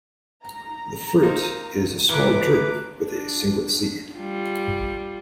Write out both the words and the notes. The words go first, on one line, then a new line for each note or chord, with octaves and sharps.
The fruit is a small drupe with a single seed.
A#5
A#3 C4 D#4
E2 A3 B4 A#5 D6
D4
G3 F4